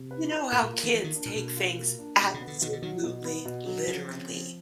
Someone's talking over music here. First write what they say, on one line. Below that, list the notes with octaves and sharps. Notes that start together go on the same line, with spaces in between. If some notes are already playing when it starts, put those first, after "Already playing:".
you know how kids take things absolutely literally,
Already playing: C3
B4
E4
A2 A#3
A#2
F4
D#3
E3 A#3
D#3
D4
A#2
B2 A#3
F4
A#3
D4
B2
C#3
B3
D3
B2 D#3
D3
D#3 F#3
B2
B3
B2
F#3
C#3 F3
C4
F3